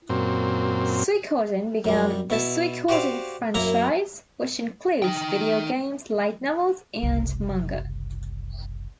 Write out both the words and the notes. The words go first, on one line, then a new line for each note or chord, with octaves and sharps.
"Suikoden" began the "Suikoden" franchise, which includes video games, light novels, and manga.
F#2 A#2 C4
F#2 G3
B2 E4 A5
F#4 G4 C5 D5 F5
F#2 A#3 E4 A#5
D#4 G5
F#1 C2